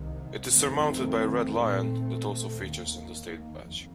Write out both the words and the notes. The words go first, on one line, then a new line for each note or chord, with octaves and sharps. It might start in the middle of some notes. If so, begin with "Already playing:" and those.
It is surmounted by a red lion that also features on the State badge.
Already playing: C2 C3 D#3
F2 D#3 A3 C4
A#2 A3 C4
D#2 D#3 A#3
F2